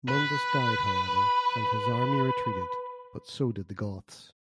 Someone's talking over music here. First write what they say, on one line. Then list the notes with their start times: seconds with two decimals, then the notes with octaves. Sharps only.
Mundus died however and his army retreated but so did the Goths.
0.08 B4